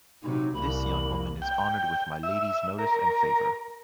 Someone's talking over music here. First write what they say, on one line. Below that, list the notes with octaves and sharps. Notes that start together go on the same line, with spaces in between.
This young woman is honoured with my Lady's notice and favour.
C3 F#3 D#4
C2 A#3 B5
G5
E5
A#4